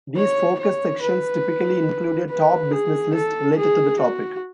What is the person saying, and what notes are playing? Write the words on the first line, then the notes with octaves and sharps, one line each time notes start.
These focus sections typically include a "top business list" related to the topic.
C#5
C#5
B4
B4
G#4
A4
G#4
F#4